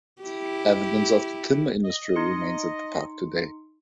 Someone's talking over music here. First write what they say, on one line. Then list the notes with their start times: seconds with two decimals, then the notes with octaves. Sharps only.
Evidence of the timber industry remains at the park today.
0.22 E4 G4
1.84 D#5
2.16 D#4 C6 C#7